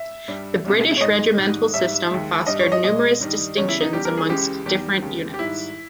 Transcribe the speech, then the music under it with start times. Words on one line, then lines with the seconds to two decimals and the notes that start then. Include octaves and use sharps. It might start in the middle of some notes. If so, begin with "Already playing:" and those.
The British regimental system fostered numerous distinctions amongst different units.
Already playing: E5
0.28 G2 G3
0.65 C#2 B2 G3
0.97 C#5
1.00 G#2 D#3 G#3 D#5
1.37 G#2 D#3 G3
1.74 G#2 G3 E5
2.10 D#2 D#3 G#3
2.47 G2 G3 D#5
2.59 C#5
2.72 D#5
2.84 A#2 G#3 D#5
3.20 G2 D#3 G3
3.56 E2 C#3 G3 C#5
3.68 E4
3.81 D#4
3.93 E2 C#3 G3 G4
4.05 A#4
4.17 G#4
4.29 C#2 C#3 E3 G#3 G4
4.66 E2 D#3 G3 G4
5.02 D#2 C#3 G#3
5.34 G4
5.39 G#2 D#3 G3 E4